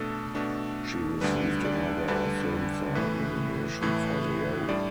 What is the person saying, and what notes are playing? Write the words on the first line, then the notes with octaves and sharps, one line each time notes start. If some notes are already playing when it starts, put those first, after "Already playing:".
She received another Filmfare nomination for the role.
Already playing: B2 A3 D4 A4
B2 A3 D4
D2 D3 G3 D4 B4
D5
D2 D3 G3 D4 B4
A2 E3 A3 B4
A2 E3 A3
A2 G3 D4 D5